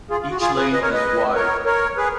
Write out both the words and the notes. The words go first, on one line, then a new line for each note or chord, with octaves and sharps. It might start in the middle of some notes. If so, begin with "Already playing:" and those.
Each lane is wide.
F4 G#4
F4
F#4
F4 G#4
G#4 B4
B4 D#5
A#4 C#5
B4 D#5
A#4 C#5
A#4 C#5
G#4 B4